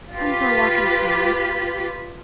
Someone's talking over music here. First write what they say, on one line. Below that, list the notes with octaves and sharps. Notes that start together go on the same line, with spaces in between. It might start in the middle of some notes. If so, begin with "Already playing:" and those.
'Come for a walk instead.
F4 G4 B4